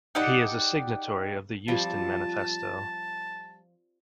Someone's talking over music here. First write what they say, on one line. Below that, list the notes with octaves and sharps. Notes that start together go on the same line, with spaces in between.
He is a signatory of the Euston Manifesto.
D#4 G4 D5 F#5
F3 G3 C4 A5